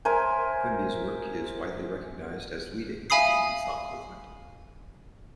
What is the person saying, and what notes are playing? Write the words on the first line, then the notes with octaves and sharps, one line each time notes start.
Quimby's work is widely recognized as leading to the New Thought movement.
A#4 C5 E5 G#5
E5 F5 G#5 B5 D#6 C7